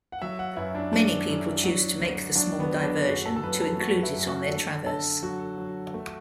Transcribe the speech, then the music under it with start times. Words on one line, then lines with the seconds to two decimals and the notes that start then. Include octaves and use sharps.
Many people choose to make the small diversion to include it on their traverse.
0.12 F#5
0.22 F#3 E5
0.39 F#5
0.57 F#2 E4
0.75 D4
0.93 F#3 D4
1.29 F#2
1.64 F#3
2.00 D2
2.36 F#3 D4
2.60 B3
2.72 F#3
2.83 D4
3.08 F#2 F#4
3.25 A4
3.36 A4
3.43 F#2 B4
3.62 A4
3.79 A3 F#4
4.03 E4
4.15 F#2
4.27 F#4
4.51 D3 A4
4.86 D3 A4
5.23 F#3 F#4
5.58 F#3
5.94 A3